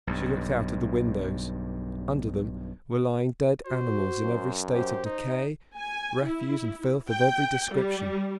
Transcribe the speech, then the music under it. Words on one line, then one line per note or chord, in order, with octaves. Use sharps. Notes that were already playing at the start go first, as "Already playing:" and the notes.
She looked out of the windows; under them were lying dead animals in every state of decay, refuse and filth of every description.
B1 G2
F#4 C5
F#2
G4 C5
D#4
G#5
E4
G5
G3